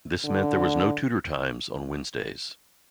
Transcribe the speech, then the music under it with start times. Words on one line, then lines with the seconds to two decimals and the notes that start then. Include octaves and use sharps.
This meant there was no tutor times on Wednesdays.
0.25 D3